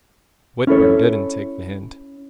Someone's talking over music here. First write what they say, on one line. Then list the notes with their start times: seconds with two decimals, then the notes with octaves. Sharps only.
Whitburn didn't take the hint.
0.67 C#4 E4 A4 C#5